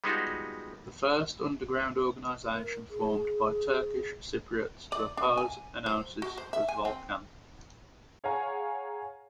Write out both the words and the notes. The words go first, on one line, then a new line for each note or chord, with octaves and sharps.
The first underground organization formed by Turkish Cypriots to oppose enosis was Volkan.
G3 G#3 B3 D#4 F4 F#4
A#4
G#4
D5
D4
G#5
C5
F#4
C5
E5
G#5
C4
G#4 C#5 F5 F#5 G#5 A#5